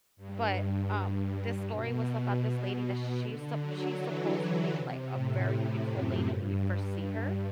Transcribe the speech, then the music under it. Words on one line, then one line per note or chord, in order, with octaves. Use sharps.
But, um, this story was about this lady that she's supp she's supposedly, like, a very beautiful lady when you first see her,
G2
B2
D3
F#3
E3
C3
A2
A2
F#2
G2